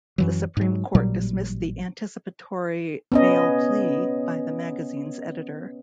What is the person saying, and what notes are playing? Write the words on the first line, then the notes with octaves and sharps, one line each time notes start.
The Supreme Court dismissed the anticipatory bail plea by the magazine's editor.
F#2 E3 F#3
G#2 F#3
A1 A#2 F#3 G3
B3 C#4 D#5